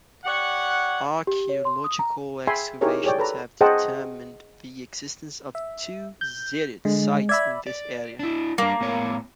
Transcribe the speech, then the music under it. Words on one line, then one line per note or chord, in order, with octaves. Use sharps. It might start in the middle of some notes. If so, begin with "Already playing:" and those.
Archaeological excavations have determined the existence of two Zirid sites in this area.
G4 C#5 D5 F#5
G4
C#5
C6
D#6
A#5
G#4 E5 G5 G#5 B5 C6
D#4 E4 G4 G#4 A#4 C#5
G4 G#4 C#5 D5 G5
A4 B4 A#5
G#4 C5 D#5 F#5 G5 A5
E5
G6
D3 G#3
D5 E5 B5 G#6
D5
D4 E4
G3 A#3 D4
A2 B3 C#5